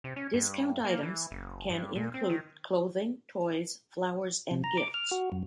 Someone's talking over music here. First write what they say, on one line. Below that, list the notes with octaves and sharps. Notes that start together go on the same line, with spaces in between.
Discount items can include clothing, toys, flowers, and gifts.
C3
C#4
G2
A#3
E3
F#1
G2
A#2
C4
D#3
C3
A#5
D6
F6
F#4
F#2